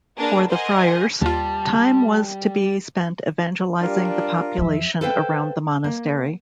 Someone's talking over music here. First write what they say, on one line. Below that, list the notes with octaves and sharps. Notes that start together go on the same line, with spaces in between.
For the friars, time was to be spent evangelizing the population around the monastery.
A#3 D4 F#4 G#4 A#4 B4
G#4 A#4 C5 D#5 F#5 G#5
D#2 G3 F4 A5
G3 D4 F4 A#4
F2 F3 E5
A4 B4 C5 E5 F5 G5
A#3